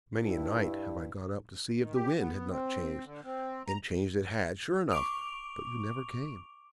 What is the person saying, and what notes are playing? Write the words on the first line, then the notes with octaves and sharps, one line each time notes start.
Many a night have I got up to see if the wind had not changed: and changed it had, sure enough; but you never came.
G2 E4
D#3
G4
B3
C4
D3
C4
A#5
C#6 D6 D7 F7